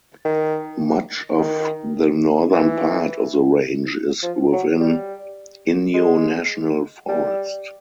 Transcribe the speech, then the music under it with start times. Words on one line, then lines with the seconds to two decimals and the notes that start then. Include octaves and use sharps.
Much of the northern part of the range is within Inyo National Forest.
0.25 D#3
1.38 D#3
2.53 E3
4.23 F3
4.52 F#3
4.80 G3
5.94 G#3
7.08 G3